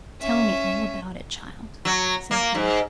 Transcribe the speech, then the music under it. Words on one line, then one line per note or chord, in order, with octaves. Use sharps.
'Tell me all about it, child,' said he.
C#4 E5
F#3
A#3
G#2